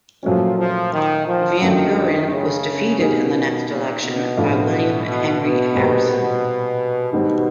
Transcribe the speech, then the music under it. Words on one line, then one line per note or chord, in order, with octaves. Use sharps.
Van Buren was defeated in the next election by William Henry Harrison.
A#2 F3 F#3 A3 C#4
F3
D#3
F3
F#2 D3 D#3 F#3 A3
C#3
B2 D#3 G3 A#3 D#4 G#4
A#2
B2
A2 F3 A3 D4 F4
B2
B2
A#2 G3 C4
G#2 B2 D#3 G3 C4